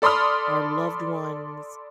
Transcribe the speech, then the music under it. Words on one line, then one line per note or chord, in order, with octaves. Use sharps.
our loved ones
A4 D5 B5 C6 D#6 F6